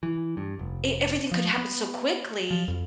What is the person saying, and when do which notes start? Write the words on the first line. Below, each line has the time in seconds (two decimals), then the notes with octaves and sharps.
E everything could happen so quickly
0.03 E3
0.37 G2
0.59 F1
1.32 F3
1.58 B3
2.51 F3
2.68 F2